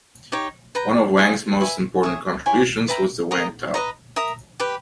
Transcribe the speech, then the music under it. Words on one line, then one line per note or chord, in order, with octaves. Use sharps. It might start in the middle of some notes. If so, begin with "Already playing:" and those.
One of Wang's most important contributions was the Wang tile.
D#4 G4 C#5 G5
B4 G5 A#5
E4 G#4 D#5
B4 E5 G#5 B5
C#5 E5 G#5 D#6
E4 G4 C#5 G#5
B4 E5 G5 A#5
A#4 D#5 A#5 D#6
B4 D#5 A#5
A#4 E5 A#5 D#6
G4 B4 G5